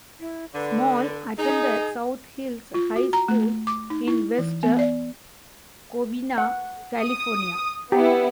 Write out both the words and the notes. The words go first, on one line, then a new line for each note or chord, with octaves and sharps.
Small attended South Hills High School in West Covina, California.
E4
D3 B4
D#4 G#4
F4
F#4
A#5
A3
D6
D#4
E4
E3
B3
D5
F#5
D#6
B3 E4 G4